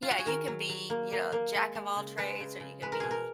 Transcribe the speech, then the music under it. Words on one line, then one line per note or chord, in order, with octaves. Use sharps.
Yeah, you can be, you know, jack of all trades or you can be,
F4
F#4
G#4
D#3 A#4
F#3
F#3
A#3
A#3
A#3
G#3
G#3
C#3
G#3 B4
C#3
C#3
G#3 B4
A#4
B2 G#4
A#4